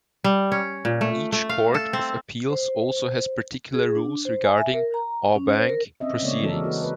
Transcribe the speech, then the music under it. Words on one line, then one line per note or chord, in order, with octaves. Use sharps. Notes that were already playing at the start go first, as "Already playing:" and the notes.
Each court of appeals also has particular rules regarding "en banc" proceedings.
G3
C#4
A#2
A3
A3
F5
A4
C4
C5
G#4
D4
C5
G#5
E5
A#4
A#5
C#4
C5
A#4
C4 C#4 D#5 E5
C#3 G#3 A#3 B3 C#5 D5
E3 G#3 F#4 A4 A#4
F#4 B4
A#4 B4